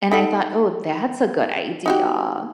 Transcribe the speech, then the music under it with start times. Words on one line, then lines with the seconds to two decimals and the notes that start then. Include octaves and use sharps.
and I thought, "Oh, that's a good idea."
0.12 D#4 A4 F#5
1.86 D#4 F#4 G4